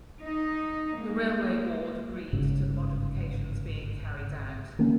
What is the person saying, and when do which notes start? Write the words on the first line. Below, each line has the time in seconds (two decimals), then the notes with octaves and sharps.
The Railway Board agreed to the modifications being carried out.
0.21 D#4
0.95 G#3 A#3
2.33 G1 G#2 C#3
4.79 D#3 G#3 A#3 C#4